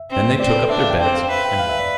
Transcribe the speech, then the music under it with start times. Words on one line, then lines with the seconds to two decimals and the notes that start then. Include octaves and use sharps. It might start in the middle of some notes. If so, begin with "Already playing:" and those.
Then they took up their beds and walked.
Already playing: E5
0.10 C4
0.40 C4 D5
0.50 A4
0.55 B4
0.69 D4 E5
0.80 F5
0.90 G5
1.00 C4 G5
1.15 F5
1.30 B4 E5
1.45 G5
1.60 F5
1.69 E5
1.80 D5